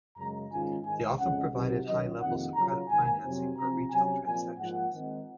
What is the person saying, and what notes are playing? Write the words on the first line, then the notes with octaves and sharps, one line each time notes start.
They often provided high levels of credit financing for retail transactions.
F#2 C#3 G#3 A#5
G#2 D#3 G#3 C#4 F4 G#5
G#2 D#3 G#3 G#5
F2 C#3 G#3 C#4 F#5
C3 D#3 F#3
D#3 F#3 C#4 D#5
F2 C3 D#3 A#3 F#5
C#3 F#3 C#4 F4 A#5
G#2 D#3 A#3 G#5
F2 C3 F#3 C4
C3 F3 C4 A#5
C3 F#3 C#4 G#5
A#2 F3 C4 G#5
G#2 F3 A#3 F4 F#5
D#3 G#3 C4 D#4